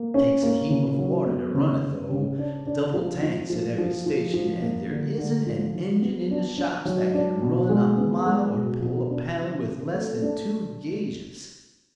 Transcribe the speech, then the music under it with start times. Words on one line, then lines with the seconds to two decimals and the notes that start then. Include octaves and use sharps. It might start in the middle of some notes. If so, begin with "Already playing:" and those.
Takes a heap of water to run it, though; double tanks at every station, and there isn't an engine in the shops that can run a mile or pull a pound with less than two gauges.
Already playing: A#3
0.14 C#4
0.43 A#3
0.70 C#3
0.99 F#3
1.26 B3
1.54 C#3
1.82 C#3
2.10 C#3
2.38 D4
2.67 D4
2.94 F3
3.23 F3
3.50 F3
3.78 F3
4.06 F3
4.34 F3
4.62 A#3
4.90 D3
5.18 D3
5.46 F3
5.75 F#3
6.02 B3
6.31 D4
6.58 D4
6.85 F#3
7.14 D4
7.42 B2
7.69 G#3
7.98 B3
8.26 G#3
8.54 B2
8.82 B2
9.10 D4
9.38 C3
9.66 C3
9.94 A3
10.22 D4